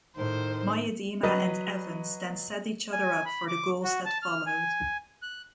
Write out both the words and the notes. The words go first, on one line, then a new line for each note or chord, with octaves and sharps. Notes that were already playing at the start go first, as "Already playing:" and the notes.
Miedema and Evans then set each other up for the goals that followed.
A2 D#3 C5
F#3 B4 D#5
G#5
B5
D6
F#4
A5
F6
G#5
F#6